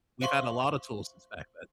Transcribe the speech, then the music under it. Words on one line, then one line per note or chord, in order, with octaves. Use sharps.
we've had a lot of tools since back then."
C5 E5 F5 C6 C#6